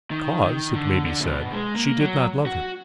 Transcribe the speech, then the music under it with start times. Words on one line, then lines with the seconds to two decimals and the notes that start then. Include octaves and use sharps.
Because, it may be said, she did not love him.
0.11 D#3
0.43 D#3
0.74 D3
1.05 D3
1.20 A#2
1.29 B2
1.52 G#3
1.76 A#3
2.00 F#3
2.47 F#4